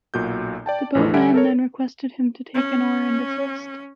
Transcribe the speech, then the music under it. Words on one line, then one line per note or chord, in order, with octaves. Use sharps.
The boatman then requested him to take an oar and assist.
B1 A#2 F#4 G6
D5 G5 A5
A1 E2 E3 F3 A3
D3 G3 E5 F#5 G#5 D7
A4 A#4 C#5
C#4